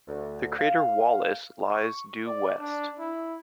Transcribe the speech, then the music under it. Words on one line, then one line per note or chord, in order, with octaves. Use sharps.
The crater Wallace lies due west.
D2
F5
C#6
D5
D4
E4